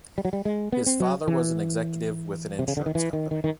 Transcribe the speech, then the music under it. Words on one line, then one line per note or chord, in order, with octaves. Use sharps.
His father was an executive with an insurance company.
G3
F#3
G3
G#3
B3
C4
F#3
E3
C3
C#3
D3
D#3
E3
D#3
D#3
D#3